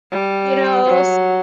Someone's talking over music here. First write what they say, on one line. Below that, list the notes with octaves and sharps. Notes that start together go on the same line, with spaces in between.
you know?
G3
F#3